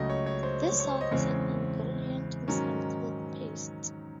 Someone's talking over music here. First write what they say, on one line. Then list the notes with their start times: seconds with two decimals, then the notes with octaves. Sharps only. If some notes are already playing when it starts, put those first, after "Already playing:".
This salt is an ingredient in some toothpastes.
Already playing: C#2 C#3 F#3 A3 D#5
0.10 C#5
0.26 C#5
0.43 C5
0.67 C#5
0.80 C#5
0.89 C5
1.01 D#5
1.11 E2 C#3 G#3 C4 C#5
2.48 G#2 D#3 F#3 C#4